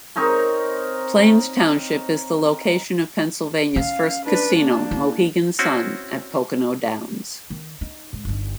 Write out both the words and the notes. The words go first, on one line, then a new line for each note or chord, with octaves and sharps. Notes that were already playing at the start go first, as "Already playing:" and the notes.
Plains Township is the location of Pennsylvania's first casino, Mohegan Sun at Pocono Downs.
C4 D#4 A#4 C#5
C#4 F5
D4 B4
A#3 D4
E4
C4 C#4 E4 F#4
D#3
D#4
G#2
G1 D#4